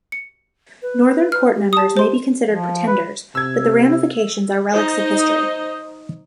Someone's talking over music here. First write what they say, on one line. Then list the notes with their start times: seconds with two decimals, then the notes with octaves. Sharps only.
Northern Court members may be considered pretenders, but the ramifications are relics of history.
0.12 C#7
0.82 B4
1.32 B4 F6
1.55 G4
1.73 A5 D#6
1.97 C5 C6
2.48 F3
2.87 B4
3.35 C3 E6 G#6
4.72 D#4 C5 D#5